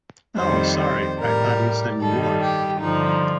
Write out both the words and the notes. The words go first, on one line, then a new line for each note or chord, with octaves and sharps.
Oh, sorry, I thought you said you were.
F2 D#3 G3 C5
C5
A2 G3 A#4
G2 D#3 G3 A4
G4
G2 D3 F3 D#4